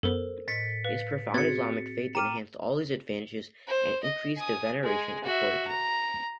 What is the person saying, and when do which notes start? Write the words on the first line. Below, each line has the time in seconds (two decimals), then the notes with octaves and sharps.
His profound Islamic faith enhanced all these advantages and increased the veneration accorded him.
0.03 F#2 B3 A4 A#4 C5
0.48 A2 D#5 A6 B6 C#7
0.84 B4 F5
1.34 B3 C4 F#4 G#4 C5 G#6 A6 C#7
2.15 G5 A#5 D6 F6 D#7
3.67 C5
4.03 D#5
4.37 G#5 D#6
4.83 G#3 G#4
5.24 F#4 E5
5.67 A#5